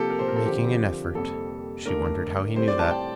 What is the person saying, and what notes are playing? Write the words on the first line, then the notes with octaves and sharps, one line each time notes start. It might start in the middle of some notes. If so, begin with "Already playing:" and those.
"Not making an effort ..." she wondered how he knew that.
Already playing: C3 F3 A#3 G4 A4
A#4
C5
A#4
A4
D3 F3 C4 G4
F2 C3 G3 A#3 A4
D3 A3 D4 A#4
A2 G3 C4 C5
D5
A5
G5